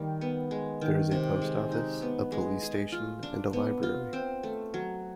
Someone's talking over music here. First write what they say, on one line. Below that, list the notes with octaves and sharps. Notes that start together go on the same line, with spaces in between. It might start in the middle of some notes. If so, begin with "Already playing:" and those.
There is a post office, a police station and a library.
Already playing: D#3 G3 A#3
B3
G#3
D#3
C3
G#3
D#4
B3
G#3
G#4
F4
D4
B3
F4
C4
A3
F#3